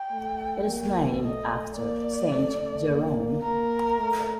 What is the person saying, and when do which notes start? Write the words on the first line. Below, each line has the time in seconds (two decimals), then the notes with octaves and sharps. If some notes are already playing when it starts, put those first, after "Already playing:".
It is named after Saint Jerome.
Already playing: G5
0.11 A3
0.67 A#3
1.21 A3 D#5
1.77 A#3 D5
2.32 A3
2.88 A#3
3.43 A#3 A#4
3.98 A3